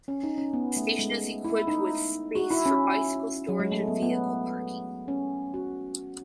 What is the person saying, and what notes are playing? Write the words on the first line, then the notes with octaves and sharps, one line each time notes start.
The station is equipped with space for bicycle storage and vehicle parking.
C#4
D#4
C#4
B3
A3
G#3
E4
D#4
F#4
E4
C#4
F#3
G#3
A3
B3
B3
C#4
F#4